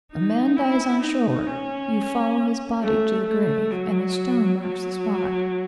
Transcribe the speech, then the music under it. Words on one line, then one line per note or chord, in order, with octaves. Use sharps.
A man dies on shore--you follow his body to the grave, and a stone marks the spot.
D#4
E4
D#4
C#4
A3
A3
F#3
F#3